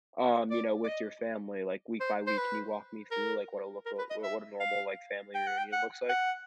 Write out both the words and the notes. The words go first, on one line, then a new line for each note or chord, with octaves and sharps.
um, you know, with your family, like, week by week? Can you walk me through, like, what a look a what what a normal, like, family reunion looks like?
D5
D5
D#5
C5
C5
B4
A#4
A#4
B4
D#5
E5
F5
G5
F#5
G5
F#5
F#5